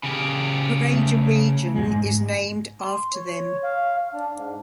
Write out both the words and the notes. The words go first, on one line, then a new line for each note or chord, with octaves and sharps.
The Caraga Region is named after them.
C#3 G4
A3
G#2 G#3
C6
C#5
F5
D4
G#2